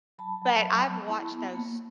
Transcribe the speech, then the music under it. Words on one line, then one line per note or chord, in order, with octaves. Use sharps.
But I've watched those
F#3 A5 B5
F#3
F#3
B3
E4
B3
A#3